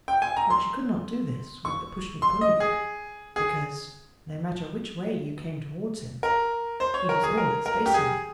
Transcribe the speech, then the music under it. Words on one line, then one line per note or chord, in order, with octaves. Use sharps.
But you could not do this with the pushmi-pullyu--because, no matter which way you came towards him, he was always facing you.
G5
G#5
A#5
C6
C#6
C6
D#5
G#4
G#4
A#4
C5
C#5
A#4
G#4
A#4
A#4
G4
G#4